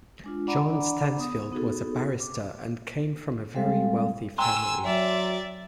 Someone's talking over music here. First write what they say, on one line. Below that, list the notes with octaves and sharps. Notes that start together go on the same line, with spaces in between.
John Stansfield was a barrister and came from a very wealthy family.
G#3 D4 F4
D4 D5 F#5 A#5 B5 D6
B3 D#6
B3 D#4 F#4 G#4 A4
D6
G3 G#3 C4 A4 F5
G5 G#5 A#5 C6 E6
F#3 D5 E5